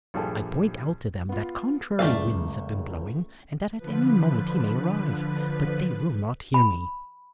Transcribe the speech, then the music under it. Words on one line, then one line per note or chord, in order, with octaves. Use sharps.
I point out to them that contrary winds have been blowing, and that at any moment he may arrive; but they will not hear me.
A#1 G2 G3 G#4 A4
B3 F4
F#1 C#2 A3 D5 F5
D3 F3 B4
B5